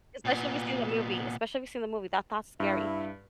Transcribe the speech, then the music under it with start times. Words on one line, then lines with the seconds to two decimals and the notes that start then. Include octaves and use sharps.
especially if you've seen the movie especially if you've seen the movie, that that's scary.
0.25 A#2 B3
2.60 G2 E4